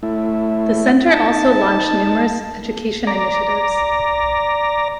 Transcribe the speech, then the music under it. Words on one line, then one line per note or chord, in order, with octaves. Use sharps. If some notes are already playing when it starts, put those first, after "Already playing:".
The centre also launched numerous education initiatives.
A3 E4
D#4 A5
D5 A#5